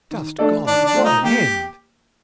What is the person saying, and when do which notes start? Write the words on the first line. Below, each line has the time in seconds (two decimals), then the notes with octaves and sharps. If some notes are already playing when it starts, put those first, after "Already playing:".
Just God, what an end!
0.11 D#3
0.38 A3 D4 A4 D5
0.67 D#3 D4
0.85 D4
0.94 A3 C4 F4
1.04 D#4
1.23 A#3 G4